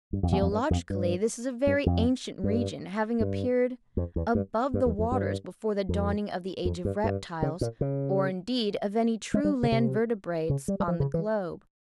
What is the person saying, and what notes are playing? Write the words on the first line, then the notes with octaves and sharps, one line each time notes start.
Geologically this is a very ancient region, having appeared above the waters before the dawning of the age of reptiles, or, indeed, of any true land vertebrates on the globe.
G2
F2
E2
F2
G2
F2
G2
G2
F2
G2
G2
F2
E2
G2
G2
E2
F2
G2
F2
F2
G2
G2
C#3
A#2
C#3
G#3
G3
C#3
C3
C#3
G3
G3
F3
C#3
E3